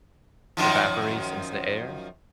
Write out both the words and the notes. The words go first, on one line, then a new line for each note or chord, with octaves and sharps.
evaporates into the air.
F#2 D#3 F3